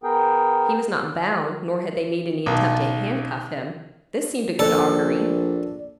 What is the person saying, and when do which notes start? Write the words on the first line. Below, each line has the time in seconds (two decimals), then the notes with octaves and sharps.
He was not bound, nor had they made any attempt to handcuff him; this seemed a good augury.
0.03 B3 G#4 A#4 G5
2.46 B1
4.59 A#1 A4 D5